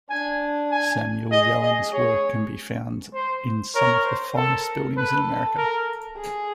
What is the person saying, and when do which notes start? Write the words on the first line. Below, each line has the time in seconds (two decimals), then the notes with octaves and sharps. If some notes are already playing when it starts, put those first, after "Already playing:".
Samuel Yellin's works can be found in some of the finest buildings in America.
0.10 D4 G#5
0.71 G#5
1.31 G#4 D#5
1.62 D#5
1.93 G#4 C#5
3.14 C5
3.75 A#4 C#5
4.05 C5
4.36 A4 A#4
4.97 A4 B4
5.58 A#4
6.18 G#4